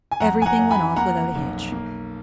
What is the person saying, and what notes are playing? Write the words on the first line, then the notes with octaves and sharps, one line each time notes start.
Everything went off without a hitch.
G#5
F2 F#5 A#5
G#5
F#5 A#5
F2
G#5 B5
A#3 F#5 A#5
B1
A#3